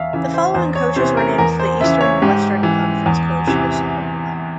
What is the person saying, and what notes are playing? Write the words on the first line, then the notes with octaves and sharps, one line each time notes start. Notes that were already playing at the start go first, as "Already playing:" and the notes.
The following coaches were named the Eastern and Western Conference Coaches of the Month.
Already playing: E2 E5 F5
C#3 E3 E5
C5
E2 C5
C#5
C3 E3 C5
A#4
E2 A#4
C5
C#3 E3 E5
C#5
G#2 G4
E3
E2
C3 E3